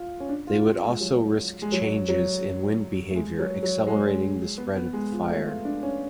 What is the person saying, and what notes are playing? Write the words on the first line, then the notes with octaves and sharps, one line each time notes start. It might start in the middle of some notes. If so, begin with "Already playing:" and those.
They would also risk changes in wind behaviour accelerating the spread of the fire.
Already playing: F4
C#4
D4
F4
F4
G#3
F#3
G#3
F#3
F#3
A3
G#3
F#3
F#3
G#3
B3
B3
G#3
F3
A3
F4
D4
C#4